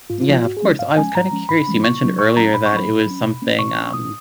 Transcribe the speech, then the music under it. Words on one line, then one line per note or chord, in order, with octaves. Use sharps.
Yeah, of course. I was kinda curious, you mentioned earlier that it was something, um
G#2 F4
F4
F3 A#3 D#4
F4
G#2 F#4
G#4
F3 G#3 C#4
G#2 F5
F3 G#3 C#4 G#5
G#2 A#5
F3 G#3 C#4
G#2 B5
F3 G#3 C#4
A#2 C#6
F#3 C#4
A#2 C#6
F#3 C#4 A#5
A#2 B5
C#6
F#3 C#4 B5
A#2
F#3 C#4
B2
A#3 C#4
B2 C#6
A#3 C#4
B2 D#6